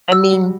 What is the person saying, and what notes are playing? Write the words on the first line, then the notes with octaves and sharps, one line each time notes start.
I mean
F#4 E6
G3